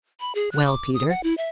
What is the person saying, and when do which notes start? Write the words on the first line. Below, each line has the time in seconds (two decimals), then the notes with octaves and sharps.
"Well, Peter?"
0.20 B5
0.35 G#4
0.52 F#6
0.65 D6
0.94 D#6
1.10 F#5
1.24 E4
1.38 E5